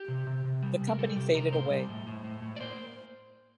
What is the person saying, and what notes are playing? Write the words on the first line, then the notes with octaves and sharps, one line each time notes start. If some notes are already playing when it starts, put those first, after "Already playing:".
The company faded away.
Already playing: G4
C3
C3
C3
G3
C3
A#4
G3 A4
C3 G4
C3 A#4
A2 C5
G3
A2
A2
A2
A2
D5
A#3 C5